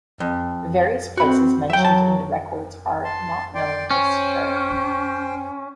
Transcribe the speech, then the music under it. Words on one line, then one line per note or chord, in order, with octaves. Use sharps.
"Various places" mentioned in the records are not known for sure.
F2
C4 F#4 B5
F#3 E5 G5
A5
A5 C6
D5 G5 C6
C#4 C5 G5